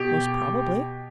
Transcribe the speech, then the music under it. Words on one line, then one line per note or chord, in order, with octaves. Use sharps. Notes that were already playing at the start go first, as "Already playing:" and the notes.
"Most probably."
Already playing: B2 G4